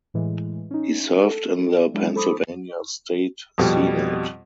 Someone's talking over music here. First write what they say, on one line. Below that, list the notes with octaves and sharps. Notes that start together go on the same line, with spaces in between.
He served in the Pennsylvania State Senate.
A2 E3 G#3
C#4 D#4
A4
F#3 G#3 D4 E4
A4 C5 B5 D6 D#6
F2 B2 G3